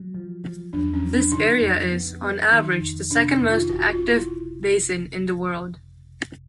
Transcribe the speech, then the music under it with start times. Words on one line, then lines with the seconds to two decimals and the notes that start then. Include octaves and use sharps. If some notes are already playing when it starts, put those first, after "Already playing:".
This area is, on average, the second-most active basin in the world.
Already playing: F#3
0.14 F3
0.44 F3
0.73 E2 D4
0.93 C#4
1.03 F3
1.13 D4
1.32 C#3 D#4
1.62 F2
1.91 B3
2.22 B3
2.51 D#3 D#4
2.80 F2
3.10 C3 D4
3.29 D#4
3.39 F2
3.49 F4
3.69 G1 F#4
3.89 F4
3.99 C#3
4.09 E4